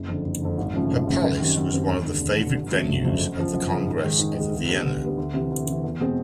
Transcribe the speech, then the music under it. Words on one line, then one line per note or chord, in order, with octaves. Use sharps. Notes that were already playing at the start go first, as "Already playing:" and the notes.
Her palace was one of the favourite venues of the Congress of Vienna.
Already playing: F#1
F2 D3
F#1
F2 D3
G#1
F#2 C#3 F3 A3
G#1
F#2 C#3 F3 A3
F#2
D#3 G3 C4
F#2
D#3 G3 C4
E1
D#2 D3
E1
D#2 D3
G1
F2 C#3 F#3 A3
G1
F2 C#3 F#3 A3
F#2
C#3 F3
F#2
C#3 F3
G#2
D#3 G#3
G#2
D#3 G#3
D2
D3 G3 B3
D2
D3 G3 B3
D2
C3 E3
D2
C3 E3
E2
B2 G#3 C4